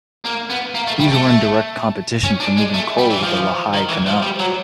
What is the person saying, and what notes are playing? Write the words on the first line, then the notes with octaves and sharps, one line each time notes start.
These were in direct competition for moving coal with the Lehigh Canal.
A#3
B3
A#3
A3
G3
A3
C#4
D4
G#3
A3
G3
E3
F3
D#3
E3
F3
G3
F#3